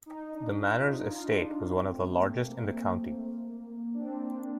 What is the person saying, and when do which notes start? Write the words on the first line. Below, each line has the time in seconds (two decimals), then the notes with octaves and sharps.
The manor's estate was one of the largest in the county.
0.06 D#4
0.23 D#4
0.33 D4
0.60 F4
0.74 F4
0.85 D#4
1.11 F4
1.38 D4
1.63 C4
1.90 A3
2.16 A#3
2.43 A#3
3.94 D4
4.00 C4
4.26 D4